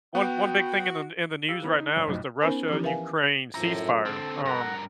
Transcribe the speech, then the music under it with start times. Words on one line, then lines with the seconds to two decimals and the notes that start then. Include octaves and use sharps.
one one big thing in the in the news right now is the Russia-Ukraine ceasefire. Um,
0.15 B3 F#4 G5
1.48 G4 F5 E6
1.62 E3 B3 C4
1.78 D#4
1.96 G#1 C#4
2.07 B1 F2 A2
2.41 B3 C#4 D#4 A#4 C5 G#5
2.69 E3 F3 C#4 E4 G4 A#5
2.83 A#4 B4 E5 F5 G#5
3.55 F#2 A2 F3 E5 A#5
4.06 D3 C4 A4 A5
4.46 G2 A#4 F#5 A#5